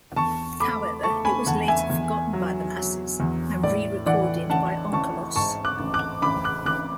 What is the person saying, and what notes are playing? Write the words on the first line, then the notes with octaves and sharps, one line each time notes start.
However, it was later forgotten by the masses, and rerecorded by Onkelos.
E2 A5 C#6
A3 B5 D6
A3 A5 C#6
G#5 B5
E2 F#5 A5
E5 G#5
E2
F#3
F#3
E2
A2 D5
E3 D5 F#5
A1 F#5 A5
A1 A5 C#6
G#2 A5 C#6
D6 F#6
A1
D6 F#6
A1 B5 D6
D6 F#6
A1 D6 F#6